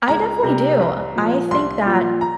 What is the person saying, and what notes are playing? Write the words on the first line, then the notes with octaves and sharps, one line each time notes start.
I definitely do. I think that,
C#2 A#5
C3 G3
C2
A#2 F3
C2 C6
A#2 F3
A#5